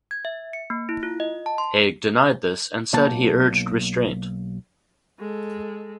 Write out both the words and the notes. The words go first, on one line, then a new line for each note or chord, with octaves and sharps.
Haig denied this and said he urged restraint.
G#6
E5
C#7
A#3
E4
F4
D#5
A5
C6
B1 A#3 F#5 A5
G#3 A4